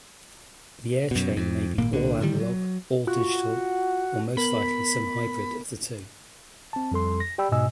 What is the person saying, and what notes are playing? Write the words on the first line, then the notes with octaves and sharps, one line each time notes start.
The airchain may be all-analogue, all-digital, or most likely some hybrid of the two.
F#2 B2
F2
G#1 A#2 A#3
C2 A#2 D3
A2 D3 D#3 G3
F#3
F4 F#4
B3 A#4 B5
C4 A5
F2 G3 A4 C6
A#6
G4 D5 G5 B5 E6
G#2 B2 D#5 G#5 E6